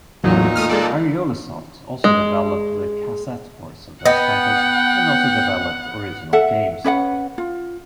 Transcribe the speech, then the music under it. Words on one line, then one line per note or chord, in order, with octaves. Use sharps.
Ariolasoft also developed the cassette ports of those titles, and also developed original games.
A1 E2 A#2 F#3 D#4
A3 D#6 F6
G#3 A4 D5
G#3
B3 D#5 F#5 G5
A4 E5 F#5
C#4 B4 D5 F#5
F4